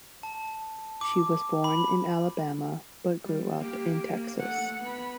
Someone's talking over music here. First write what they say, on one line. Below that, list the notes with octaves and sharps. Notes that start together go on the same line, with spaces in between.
She was born in Alabama but grew up in Texas.
A5
D6
B5
G3
A#3 G4
A#3
A3 F#5
B3 B5